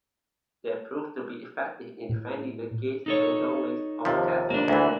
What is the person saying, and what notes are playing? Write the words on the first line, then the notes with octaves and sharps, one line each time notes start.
They proved to be effective in defending the gates and doorways of castles.
A2
D#4 A4 C#5
D#2 C3 F3
A#3 D4
D2 E3